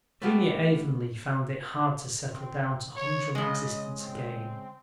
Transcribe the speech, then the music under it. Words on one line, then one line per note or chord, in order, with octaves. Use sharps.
Junior Avonlea found it hard to settle down to humdrum existence again.
A3 B3 F4 G4
C4
C#5
C#3 G#3 D#5
C4